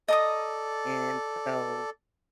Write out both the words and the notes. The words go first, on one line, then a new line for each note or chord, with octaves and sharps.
and so
A4 D5 D#5 A#5 D#6